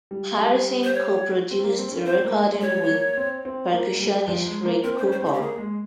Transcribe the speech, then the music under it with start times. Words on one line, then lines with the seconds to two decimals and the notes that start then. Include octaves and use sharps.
Harrison co-produced the recording with percussionist Ray Cooper.
0.11 G3
0.39 G3
0.84 C5
0.94 C#5
1.50 C4
1.64 A#3
1.78 C4
1.92 C#4
2.06 C4 C5
2.25 A#3
2.43 G#3
2.53 G#3
2.61 G3 C#5
2.89 A#3
3.17 C4
3.45 C4
3.72 A#3
4.00 G3
4.28 F3
4.47 G#3
4.65 A#3
4.84 C4 A#4
4.98 C5
5.02 C#4
5.12 C5
5.20 C4 G#4
5.33 G4
5.39 A#3 G#4
5.58 G#3